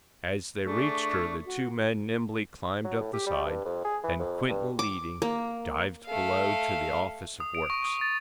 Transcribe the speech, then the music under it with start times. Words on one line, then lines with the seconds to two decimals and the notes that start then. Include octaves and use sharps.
As they reached her the two men nimbly climbed up the side and, Quinton leading, dived below to the office of works.
0.65 A3 D4 G#4 C#6
1.45 F#4
2.84 F#3
3.00 A2
3.13 G4
3.26 G3
3.45 G2
3.65 F2
3.84 G#4
4.03 E3
4.19 F2
4.48 G2
4.79 D6
5.22 A#3
6.06 A3 F5
7.40 D#6
7.55 D7
7.70 C#6
7.85 D#6
8.01 A6